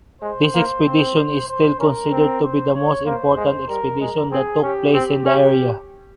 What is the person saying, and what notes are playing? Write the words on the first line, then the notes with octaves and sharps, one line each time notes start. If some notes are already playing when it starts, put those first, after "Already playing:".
This expedition is still considered to be the most important expedition that took place in the area.
G#3 C5
A#3
C4
C5
C#4 A#4
C4
C5
C#5
A#3 C5
G#3
G3 A#4
G#3 A#4
C4 G#4
C#4 G4
C4 G4
C#4 G4